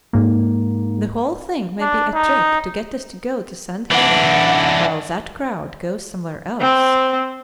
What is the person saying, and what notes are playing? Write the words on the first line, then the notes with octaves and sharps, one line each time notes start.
"The whole thing may be a trick to get us to go to Sand Haven while that crowd goes somewhere else."
G#2 A#3
D4
D#4
E3 D4 F#5
C4